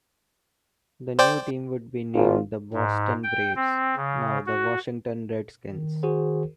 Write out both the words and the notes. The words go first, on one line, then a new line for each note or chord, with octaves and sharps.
The new team would be named the Boston Braves, now the Washington Redskins.
C5 D5 G5
G#1 F4
G#2
G5
C4
C#3
F#4
D#3
F#4 G#4 C5